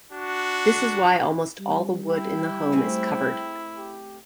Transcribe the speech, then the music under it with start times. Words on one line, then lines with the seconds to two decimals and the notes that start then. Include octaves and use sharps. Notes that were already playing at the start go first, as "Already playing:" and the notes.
This is why almost all the wood in the home is covered.
0.12 D4 F#4
1.59 G3
2.09 E4 G5
2.72 A3 C4 G#4
3.77 G4